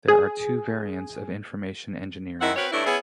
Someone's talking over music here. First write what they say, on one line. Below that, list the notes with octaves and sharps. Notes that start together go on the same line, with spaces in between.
There are two variants of information engineering.
G#4
D#3 G#3 C4 E4 F#5
C4 F#4 A#4 B4 C#5
G2 A3 C#4 D4 E4
B3 C#4 E4 G#4